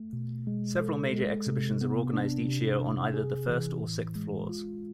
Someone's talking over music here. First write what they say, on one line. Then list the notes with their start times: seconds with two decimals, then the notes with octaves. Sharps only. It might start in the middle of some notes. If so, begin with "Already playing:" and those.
Several major exhibitions are organised each year on either the first or sixth floors.
Already playing: A3
0.13 B2
0.47 G#3
0.80 A4
1.13 G#3
1.47 C3
1.81 B3
2.14 D4
2.47 C3
2.81 C3
3.14 G#4
3.48 E3
3.81 A2
4.16 G#3
4.49 F4